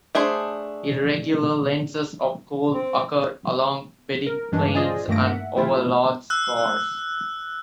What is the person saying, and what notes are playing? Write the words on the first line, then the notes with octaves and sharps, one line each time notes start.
Irregular lenses of coal occur along bedding planes and over large scours.
A3 D4 G#4 C5
C4
A#4
G2 B2 E3 G#3 C#4 D4
F4 G#4 C5 D5 D#5 G#5
G2 D#3 A3 A#3 A#6 D7
E5 F#5
F3 A3 E4 F4
E6 F#6